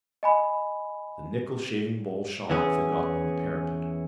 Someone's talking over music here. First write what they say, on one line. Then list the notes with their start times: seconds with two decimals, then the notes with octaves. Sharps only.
The nickel shavingbowl shone, forgotten, on the parapet.
0.23 D#5 G#5 B5
2.50 E2 E3 C#4 G#4